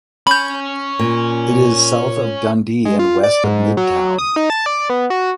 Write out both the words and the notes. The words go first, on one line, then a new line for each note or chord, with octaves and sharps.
It is south of Dundee and west of Midtown.
C#4 B5 G6
A#2
G#3
F4
D5
G#2
F#3
D#6
D#4
A5
D5
B3
F#4